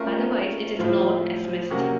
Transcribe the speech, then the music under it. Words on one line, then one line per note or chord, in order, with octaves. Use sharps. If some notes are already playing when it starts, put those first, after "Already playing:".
Otherwise it is known as mist.
Already playing: A3 C#4 F4 A#4
A2 F3 C4 F4
C3 F#3 A#3 C#4 F#4